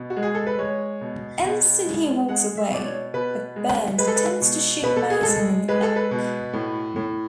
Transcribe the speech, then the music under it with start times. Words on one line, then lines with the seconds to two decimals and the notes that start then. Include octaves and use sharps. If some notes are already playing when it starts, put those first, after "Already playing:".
Instead he walks away, but Burns attempts to shoot Mason in the back.
Already playing: B2
0.10 F#4
0.16 G#3
0.23 G#4
0.35 A4
0.47 B4
0.59 G#3 C#5
1.01 B2
1.44 B2
1.86 G#3
2.29 G#3 F#5
2.57 E5
2.71 B2 D5
2.85 C#5
3.14 B2 B4
3.56 G#3
3.98 G#3 B4
4.08 A4
4.16 B4
4.41 B2
4.84 B2 B4
4.96 A4
5.10 G#4
5.23 G#3 A4
5.68 G#3 B4
5.83 A4
5.96 B4
6.11 B2
6.53 A2
6.96 A2